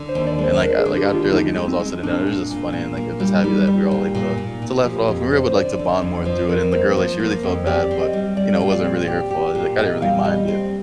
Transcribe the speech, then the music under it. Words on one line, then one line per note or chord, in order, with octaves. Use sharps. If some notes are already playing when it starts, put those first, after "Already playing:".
and, like like, after, like, you know, it was all said and done, it was just funny, and, like, I'm just happy that we're all able to to laugh it off, and we were able to, like, to bond more through it, and the girl, like, she really felt bad, but, you know, it wasn't really her fault, like, I didn't really mind it.
Already playing: D3
C5
D#2
D5
G#3
C5
D4 A#4
G#4
D3
G4
D#2
F4
G#3 D#4
G#3
C4
G#3
A#2 D4
A#2
A#2
A#2
A#3
G3
G3 D#4
G3
A#2
A#2
A#2
A#2
F3 G4
F2
D3 C5
C5
D3 D5
D3
F2
F3 C5
F2 A#4
A#3 C5
F3
A#3
F2
G4 D5
C4
D#5
G3
G3 D5
A#2
D5
C4
G4
G4
A#2
A#2 D#5
G3 F5
G3 D#5
C4